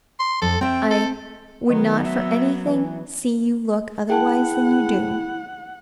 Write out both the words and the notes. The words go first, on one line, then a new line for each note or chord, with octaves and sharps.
I would not for anything see you look otherwise than you do.'
C6
F2 A4
C4 E5 G5
A4
D#3 F#3 B3
E5
E3
E4 G#4 F#5 G5 A5